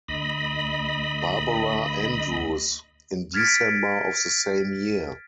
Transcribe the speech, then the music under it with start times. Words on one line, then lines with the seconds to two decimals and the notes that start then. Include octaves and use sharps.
Barbara Andrews, in December of the same year.
0.08 D2 D#5 B5
3.34 F6 G#6 A6 B6 C#7 D7